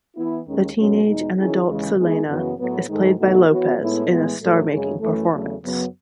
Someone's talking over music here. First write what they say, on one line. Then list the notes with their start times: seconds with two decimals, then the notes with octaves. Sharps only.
The teenage and adult Selena is played by Lopez in a star-making performance.
0.16 E3 B3 E4
0.46 D#2 D#3 G#3 C#4
0.77 B2 F#3 A3 C#4
1.07 E2 B2 G#3 D#4
1.38 D#3 F#3 C#4 E4 G#4
1.67 D#2 C#3 E3 G#3
1.98 E3 G#3 B3 D#4 G#4
2.28 F#2 C#3 E3 B3 F#4
2.58 A2 F#3 B3
2.88 G#2 D#3 G#3 D#4 A4
3.19 E2 B2 A3 D#4 F#4
3.48 E3 B3 F#4 C#5
3.80 A2 G#3 B3 E4
4.09 A2 E3 G#3 B3
4.40 A2 F#3 A3
4.71 F#2 C#3 G#3 C#4 G#4
5.00 F#2 E3 A3
5.31 E2 C#3 F#3 A3
5.62 F#2 C#3 F#3 B3